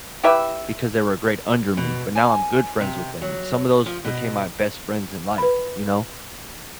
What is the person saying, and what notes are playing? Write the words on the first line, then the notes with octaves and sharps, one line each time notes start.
because they were a grade under me, but now I'm good friends with them, and some of those became my best friends in life, you know?
E4 G4 B4 E5
B2
G#5
C3
F#3
F3
B2
B4 B5